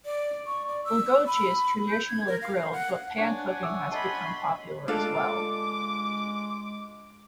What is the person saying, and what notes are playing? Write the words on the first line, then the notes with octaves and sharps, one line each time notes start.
"Bulgogi" is traditionally grilled, but pan-cooking has become popular as well.
D5
C#6
D5
E6
B5
G6
G#6
A#4
F5
F#5
D4 C#5 F#5 G#5
E5 D6 E6
D#5 A5 B5 C6
G#3 D4 F4 A4 D6